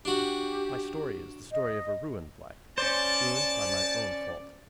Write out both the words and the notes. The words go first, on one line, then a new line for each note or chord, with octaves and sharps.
My story is the story of a ruined life--ruined by my own fault.
D4 F#4 G4
D#5
C#4 C5 D5 A5